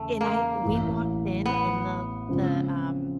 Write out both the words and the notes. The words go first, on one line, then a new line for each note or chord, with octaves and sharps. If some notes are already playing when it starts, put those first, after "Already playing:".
And I we walked in, and the the, um,
Already playing: E2 C#3 A3
A#3
A1 A2 E3
B3
C#3 F3 G#3 C4